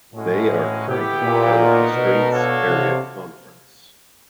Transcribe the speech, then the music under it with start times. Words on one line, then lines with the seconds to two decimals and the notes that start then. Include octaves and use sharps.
They are currently part of the Straits Area Conference.
0.14 A2 G#3 C#4 F#4
0.86 B3 E4 G4
1.22 A#2
1.57 B3 D#4 F#4 A#4
1.94 B2
2.29 D4 F#4 A4 C#5 F5
2.66 C3